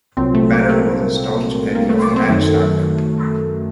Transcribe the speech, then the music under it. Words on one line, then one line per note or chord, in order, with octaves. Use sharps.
Barron was a staunch ally of Al Sharpton.
C2 A#2 F#3 C4
A3
A#3
A3
A#3
A3
A#3
C4
F#2 D#3 F#3 A3